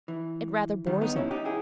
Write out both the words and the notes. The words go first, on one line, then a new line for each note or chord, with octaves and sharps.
It rather bores him.
E3
D#3 G3
B3 D#4
C#4 E4
D#4 G4
E4 G#4